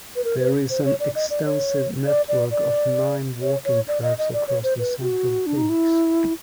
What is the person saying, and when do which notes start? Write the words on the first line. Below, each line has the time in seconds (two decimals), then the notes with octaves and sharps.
There is an extensive network of nine walking tracks across the central peaks.
0.16 B4
0.24 A#4
0.40 B4
0.70 C5
0.85 C#5
1.00 D5
1.15 D#5
1.30 D5
1.46 C#5
2.06 D5
2.29 D5
2.51 D5
3.42 C#5
3.65 C#5
3.88 D5
4.03 D#5
4.18 D#5
4.33 D5
4.48 C#5
4.63 C5
4.79 B4
5.01 F#4
5.46 D4
5.57 D#4
5.69 E4